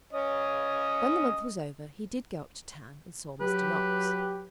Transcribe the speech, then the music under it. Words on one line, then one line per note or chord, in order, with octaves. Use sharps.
When the month was over he did go up to town, and saw Mr. Knox.
C#4 C#5 D#5
F#3 G4 B4